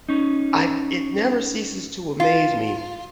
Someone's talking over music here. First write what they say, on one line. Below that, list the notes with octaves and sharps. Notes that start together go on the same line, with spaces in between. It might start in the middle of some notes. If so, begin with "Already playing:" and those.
I it never ceases to amaze me
C#4 D#4
F4